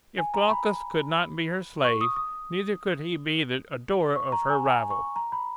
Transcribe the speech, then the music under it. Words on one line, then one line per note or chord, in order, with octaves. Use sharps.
If Glaucus could not be her slave, neither could he be the adorer of her rival.
G#5
A#5
B5
C#6
D#6
D#6
C#6
A#5
G#5
G#5
C#6
A#5
B5